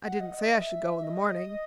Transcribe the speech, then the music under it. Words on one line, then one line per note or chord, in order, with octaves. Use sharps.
I didn't say I should go in the morning....
F#5
D#5
D#5
E5
D#5